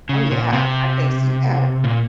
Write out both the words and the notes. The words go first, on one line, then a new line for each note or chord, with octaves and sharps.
Oh, yeah. I can see that.
C#3
A#2
C3
A#2